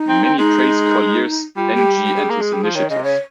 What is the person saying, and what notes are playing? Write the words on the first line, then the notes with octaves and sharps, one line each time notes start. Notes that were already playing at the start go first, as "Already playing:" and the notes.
Many praise Collier's energy and his initiative.
Already playing: D#4
C4
C4
G#3 D#4
G3 F4
G4
G4
G#4
A#3
G#3
G3
F3
D#3 C#5
C#3 D#5
C3
C#3 C#5